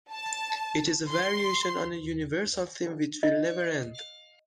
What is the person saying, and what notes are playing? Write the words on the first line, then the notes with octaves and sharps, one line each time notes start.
It is a variation on a universal theme which will never end.
A5
C6
D#5